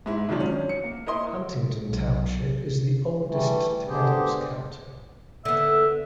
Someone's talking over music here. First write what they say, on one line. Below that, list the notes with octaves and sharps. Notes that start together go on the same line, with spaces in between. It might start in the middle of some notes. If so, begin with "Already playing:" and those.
Huntington Township is the oldest township in Adams County.
G#2 E4
G#2 D#3 F3 F#3 D4 D#4
C#4
C#7
A#3
E4 A#4 D#5 C6
B1
E3 G3 A3
D3 B3 D4 G4 G#4 C5
D3 B3 E5